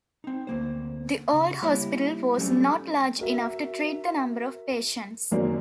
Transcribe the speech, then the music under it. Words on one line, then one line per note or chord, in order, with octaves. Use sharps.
The old Hospital was not large enough to treat the number of patients.
C4 D#4
D2 A#3 C5
C#3
G3 A#3 E4 G4 C#5 D#5
F#3 G3 A3 C4 C#4 G4
F#4 A#4 E5
F#2 D#3 F#3 A#3 C4 D4